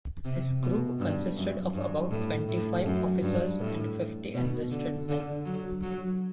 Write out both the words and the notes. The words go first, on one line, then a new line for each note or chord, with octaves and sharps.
His group consisted of about twenty-five officers and fifty enlisted men.
C3
B2
G2
F#2
G2
A2
A2
F#2
G2
A2
B2
D3
D3
F#3
F#3